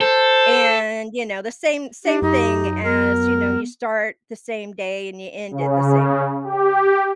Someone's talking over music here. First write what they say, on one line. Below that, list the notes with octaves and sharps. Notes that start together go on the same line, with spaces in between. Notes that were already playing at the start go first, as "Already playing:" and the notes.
and you know, the same same thing as, you know, you start the same day, and you end it the same day
A4 C5
D4 G4
F#2 D#4
B3 A#4
C#3
G4